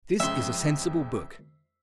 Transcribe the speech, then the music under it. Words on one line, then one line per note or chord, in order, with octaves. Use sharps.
This is a sensible book.
F2 C#3 G#3 E5 C6